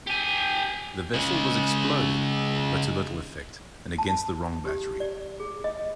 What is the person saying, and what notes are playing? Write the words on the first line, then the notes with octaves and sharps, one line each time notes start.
The vessel was exploded, but to little effect and against the wrong battery.
G4 G#5
C#3 G#3
A5
G4
D5
G#4
D#5